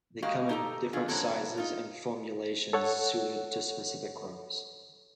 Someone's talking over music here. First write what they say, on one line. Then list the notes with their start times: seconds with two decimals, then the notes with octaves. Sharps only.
They come in different sizes and formulations suited to specific crops.
0.22 G#3 A#3 F#4 G4 D#5 F5
0.49 D#4 G4 A4 A#5
0.93 E2 D3 F4 G#4
1.08 C#3 F#3 A#3 C4 A4
1.58 D#4 F4
2.73 A4 C#5 F#5